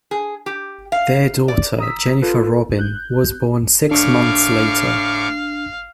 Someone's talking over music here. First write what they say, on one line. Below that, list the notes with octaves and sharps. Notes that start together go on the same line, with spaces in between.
Their daughter, Jennifer Robin, was born six months later.
G#4
G4
F5
D5
A#5 D#6 E6 B6
F4 A4 B4
F#6 G6
A2 D4 F5 C#6 D6